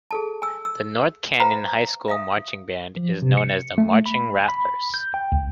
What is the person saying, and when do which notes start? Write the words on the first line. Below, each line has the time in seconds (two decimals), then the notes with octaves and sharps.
The North Canyon High School Marching Band is known as the Marching Rattlers.
0.11 G#4 A4 A5
0.42 G#5 E6
0.65 E6
1.40 B4 C5 F5 G5 A#5 B5
2.08 E5 F5 D#6
2.97 F3
3.22 C3
3.37 C#7
3.78 A3
4.06 B5
4.49 B5
4.94 G6
5.14 G5
5.32 C#2